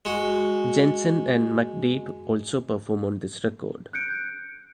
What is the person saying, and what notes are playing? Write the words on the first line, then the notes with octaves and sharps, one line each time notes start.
Jensen and McDade also perform on this record.
G#3 F#4
F#6 G6 C#7 D7